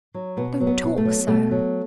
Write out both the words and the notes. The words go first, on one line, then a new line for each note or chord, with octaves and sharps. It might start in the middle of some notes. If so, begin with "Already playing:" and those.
Don't talk so.'
F#3
B2 B3
F#3
B3
B2
A3
F#3
B2 A3
F#3